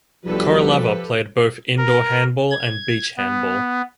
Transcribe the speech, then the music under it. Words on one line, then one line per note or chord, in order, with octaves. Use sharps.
Koroleva played both indoor handball and beach handball.
B1 F3 G3 G4 A4 B4
A#4
G#6
B3